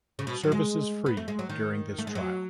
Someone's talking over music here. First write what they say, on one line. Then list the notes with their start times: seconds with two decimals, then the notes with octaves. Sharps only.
Service is free during this trial.
0.19 C#3
0.27 B2
0.43 F#3
0.52 G#3
1.06 B3
1.17 A3
1.28 G#3
1.39 F#3
1.49 D#3
1.98 A3
2.07 G#3
2.15 F#3